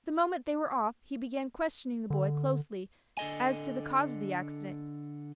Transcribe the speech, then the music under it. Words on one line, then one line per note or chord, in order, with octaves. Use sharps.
The moment they were off he began questioning the boy closely as to the cause of the accident.
D3
D3 A4 D#5 G#5